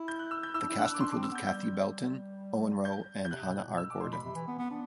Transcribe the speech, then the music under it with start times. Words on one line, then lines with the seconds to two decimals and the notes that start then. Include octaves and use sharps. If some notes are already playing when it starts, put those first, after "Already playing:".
The cast included Cathy Belton, Owen Roe, and Hannah R. Gordon.
Already playing: E4
0.08 G6
0.19 F#6
0.31 E6
0.43 G6
0.54 E4 E6
0.62 D4
0.69 E4
0.78 D4 F#6
0.85 E6
0.93 D6
1.00 D4 C6
1.11 D4 D6
1.16 C4
1.23 E6
1.32 B3 G6
1.46 G3 G6
2.85 G6
3.25 G6
3.31 C3 F#6
3.43 B2
3.55 A2
3.66 B2
3.78 E6
3.90 D6
4.00 B2 C6
4.13 B5
4.24 C3
4.35 E3
4.48 B3
4.59 B3
4.71 D4